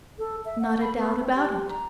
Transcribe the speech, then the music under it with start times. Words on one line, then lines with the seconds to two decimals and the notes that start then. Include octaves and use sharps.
"Not a doubt about it."
0.19 A4
0.45 E5
0.61 F#5
0.81 B5
0.97 B3
1.19 C4
1.35 G4
1.69 A#5